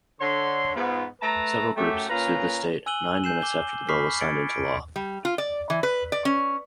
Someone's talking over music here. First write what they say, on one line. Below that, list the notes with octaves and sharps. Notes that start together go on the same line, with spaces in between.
Several groups sued the state nine minutes after the bill was signed into law.
D3 C#5 C6
G#2 B3 F4
A3 B4 A5 A#5
F#2 A3 G4
A#2 C#4 B4 F5 A#5
G#5 E6 F#6 D#7 F#7 G7
G#5 G6 C7 E7
D6 G7
B5 C#6 D6 F6 B6 C7
D6 G#6 A6 C#7 D7
D7
G3
F4
D5
E3
B4
D5
C#4